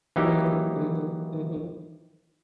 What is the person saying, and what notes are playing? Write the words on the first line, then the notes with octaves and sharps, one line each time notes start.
Mhm, mhm, mhm.
E3 F#3 A#3 D#4 E4 G4